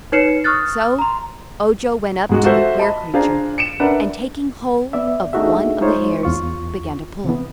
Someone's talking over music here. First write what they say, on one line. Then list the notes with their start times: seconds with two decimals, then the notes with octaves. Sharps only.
So Ojo went up to the queer creature and taking hold of one of the hairs began to pull.
0.12 D#4 B4 C#5 C7 C#7 E7
0.44 C#6 D#6 F6 F#6 A6
0.99 A#5 C6
2.29 G#2 G#3 F#4
2.44 F4 F#4 A4 C5 E5
2.77 D#5 A5 B5
3.14 D4 F4 G#4 C5 F5 A#5
3.58 C#7 D7 E7
3.80 D4 A#4 B4 E5 F#5
4.93 B3 D5 E5
5.33 A3 D4 D#4 F#4 G#4 E5
5.81 G#3 D#4 F4 C5 C#5
6.23 E2 F4 C#6
7.24 C3 E3 B3